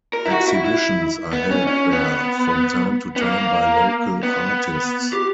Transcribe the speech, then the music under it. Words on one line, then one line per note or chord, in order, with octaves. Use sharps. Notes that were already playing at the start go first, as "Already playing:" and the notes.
Exhibitions are held there from time to time by local artists.
A#4
E4
F#4
E4
E4
B3
C#4
C#4
B3
B3
A#3
B3
G4